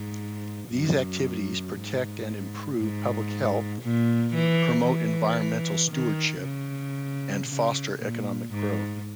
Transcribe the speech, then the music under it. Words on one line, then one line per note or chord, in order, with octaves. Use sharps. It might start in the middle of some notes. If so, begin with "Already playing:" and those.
These activities protect and improve public health, promote environmental stewardship, and foster economic growth.
Already playing: G#2
F#2
G#2
G#2
A#2
E3
E3
D#3
C#3
C#3
A#2
G#2